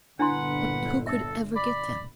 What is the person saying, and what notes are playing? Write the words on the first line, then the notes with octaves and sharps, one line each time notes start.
But who could ever get them?
G1 A#2 D3 D4 E4 B4 F#5 C6
A4 E5
D5 B5